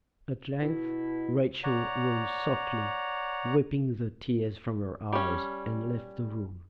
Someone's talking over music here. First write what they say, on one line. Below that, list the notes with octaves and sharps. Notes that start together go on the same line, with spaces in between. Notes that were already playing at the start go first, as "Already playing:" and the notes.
At length Rachel rose softly, wiping the tears from her eyes, and left the room.
B2 E4
C#5 D5 F#5 A#5
G3 C#4